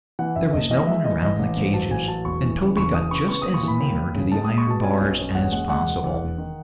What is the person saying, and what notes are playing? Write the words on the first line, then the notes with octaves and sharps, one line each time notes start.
There was no one around the cages, and Toby got just as near to the iron bars as possible.
E3 F#5
F#2 E5
F#1 D#5
E3 D#5
G#3 E5
E3 D#5
A1 D#5
A1
G#2
F#3 A5
A1 G#5
F#3 A5
E1 C#6
E3
C#3
E1 C#6
E3 D#6
C#3 C#6
B3 C#6
D#2 D#6
C#6
E3 B5
D#2
D#2
C#3
G#3 A5
G#3 D#6
C#6
B2 A5
C#4 G#5
B1
C#4
E1 F#5
G#3 F#5
G#3 F#5
E1
E2
E1
D#3